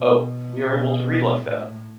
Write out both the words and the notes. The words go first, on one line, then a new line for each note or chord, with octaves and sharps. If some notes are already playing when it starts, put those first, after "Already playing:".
Oh! We are able to read like that!
Already playing: B2
B2
A2